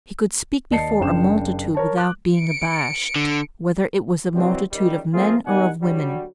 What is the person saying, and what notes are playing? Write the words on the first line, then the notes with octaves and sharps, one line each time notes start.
He could speak before a multitude without being abashed, whether it was a multitude of men or of women.
D#2 D5 D#5 A5 C7 C#7
F#1 C#3 D4 G5 E7
A#4 C#5 A5
D6 F#6
C#7 D7
D3
C3 E3 F#3 G3 C4
C#2 D#3 G3
F3 A3 A#3 C4 F4 G#4
B2 D#3 G3 D#4 F#5 G#5
D3 F#3 G3